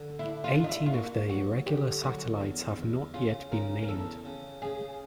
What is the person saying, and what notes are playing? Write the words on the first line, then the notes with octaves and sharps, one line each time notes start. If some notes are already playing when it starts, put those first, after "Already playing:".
Eighteen of the irregular satellites have not yet been named.
Already playing: D3
D4 E4
F4
D4
D#4
E4
F4
A#3 F#4
F#3 F#4
D3 G4
F#3 F#4
E2
E2
C#3 F4
C#3 A#4
A#4
E2 A4
C#3
C#3 G#4